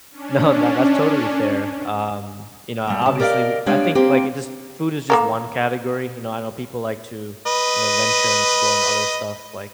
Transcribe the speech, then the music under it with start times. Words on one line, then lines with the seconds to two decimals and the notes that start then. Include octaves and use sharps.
No, that that's totally fair. Um, you know, obviously, w I think, like, it just food is just one category. You know, I know people like to, you know, venture and explore in other stuff. Like,
0.11 C#4 D4
2.87 G3 A#3
3.02 C#3 A5
3.19 G4 A#4 D5 D#5 F5
3.66 G3 G#3 B3 D4 C#5 F5
3.95 A#3 C4 G4
5.10 A#3 A4 A#4
7.46 B4 D#5